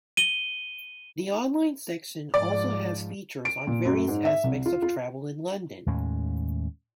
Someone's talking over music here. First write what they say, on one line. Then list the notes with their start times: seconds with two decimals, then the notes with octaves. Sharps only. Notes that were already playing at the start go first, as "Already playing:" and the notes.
The online section also has features on various aspects of travel in London.
0.17 D#7 G7
2.34 G#2 F3 D5
3.45 D7
3.67 A#2
3.85 F#2
4.08 G#2
4.25 E5
4.44 C2
4.66 F4
4.82 F4
5.86 D#2 A2 G#3 C#4